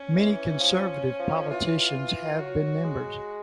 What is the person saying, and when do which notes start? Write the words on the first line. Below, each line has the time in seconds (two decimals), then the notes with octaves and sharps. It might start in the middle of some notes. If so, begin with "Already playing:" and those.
Many Conservative politicians have been members.
Already playing: C#4
0.15 E3
0.60 F3
1.19 F3
1.50 E3 F4
2.39 F#3 F#4
2.84 G#3